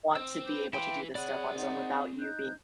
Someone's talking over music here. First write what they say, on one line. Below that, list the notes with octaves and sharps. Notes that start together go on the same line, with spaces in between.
want to be able to do this stuff on his own without you being,
C4 E6
B4 D6 G6
E3 E4 F5 G5 C6 D6
C4 G#4 C#5 D5 F#5 B5 F#6
D#4 C5 F#5
D#4 F#6 G6